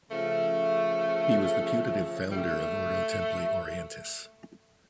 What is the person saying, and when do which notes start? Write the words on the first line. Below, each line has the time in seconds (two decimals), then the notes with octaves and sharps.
He was the putative founder of Ordo Templi Orientis.
0.10 C#3 F3 A3
2.31 G3
2.37 A3